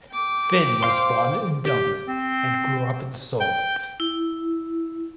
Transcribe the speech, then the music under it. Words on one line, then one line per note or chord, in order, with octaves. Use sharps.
Finn was born in Dublin and grew up in Swords.
G5 D6
C5 F5 C6
G4
C4
G5
E4